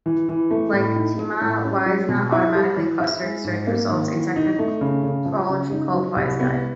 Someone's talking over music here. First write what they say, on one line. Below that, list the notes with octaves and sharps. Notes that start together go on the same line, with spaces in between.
Like Teoma, WiseNut automatically clustered search results, a technology called "WiseGuide".
E3
E3
A3
A2
D#4
F3
A2
C#4
F#3
B2
E4
G3
E3
E4
G#3
G#2
A#3
D#3
E3
D#4
A3
C#3
C#3
F3
C#3
D#4
F#3
C2
B3